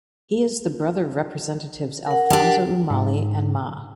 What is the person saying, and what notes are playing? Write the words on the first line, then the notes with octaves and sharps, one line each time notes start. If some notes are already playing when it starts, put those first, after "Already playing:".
He is the brother of Representatives Alfonso Umali and Ma.
A#4 F#5
D4 G4
G#2